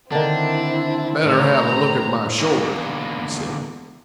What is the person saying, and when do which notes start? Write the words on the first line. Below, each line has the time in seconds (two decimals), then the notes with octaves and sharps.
'Better have a look at my shoulder,' he said.
0.12 D3 D#3 C4 D4 E4
1.25 A2 C5 A#5
2.40 D3 E3 G#3 A#3 B3